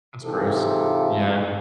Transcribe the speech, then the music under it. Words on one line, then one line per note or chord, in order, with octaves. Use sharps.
That's gross. Yeah.
G#2 C3 E3 F4 G4 A4